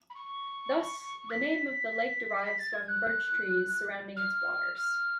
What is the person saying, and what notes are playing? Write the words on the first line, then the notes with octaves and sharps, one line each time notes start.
Thus, the name of the lake derives from birch trees surrounding its waters.
B5
C#6
B6
B6
A6
G#6
F#6
F6
F6